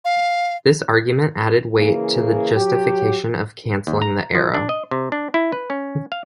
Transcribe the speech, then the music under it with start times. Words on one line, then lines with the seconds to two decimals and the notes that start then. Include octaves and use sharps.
This argument added weight to the justification of cancelling the Arrow.
0.05 F5
1.77 C#3 E3 A#3 G#4
2.54 F#3 G4
3.87 D#2
4.02 A#5
4.35 F3
4.54 D4
4.69 D#5
4.91 C3
5.12 D4
5.34 E4
5.52 B4
5.70 C#4
6.12 F5